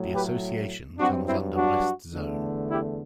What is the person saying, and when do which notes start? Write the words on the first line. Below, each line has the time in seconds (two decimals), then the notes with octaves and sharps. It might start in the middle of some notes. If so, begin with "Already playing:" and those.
The association comes under west zone.
Already playing: A2 F#3 A3
0.12 G4 B4
0.98 G2 F#3 C4 D4 F#4
1.26 C4 E4
1.55 D4 F#4
2.12 E2 D3 A3
2.69 E4 G4